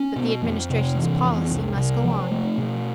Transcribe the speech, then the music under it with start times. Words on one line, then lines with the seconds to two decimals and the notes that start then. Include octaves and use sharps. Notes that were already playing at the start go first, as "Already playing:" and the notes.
But the Administration's policy must go on.
Already playing: C#4
0.16 B2
0.42 F2
0.70 C3
0.96 E3
1.23 F2
1.50 C2
1.76 C3
2.04 F3
2.30 A3
2.58 B2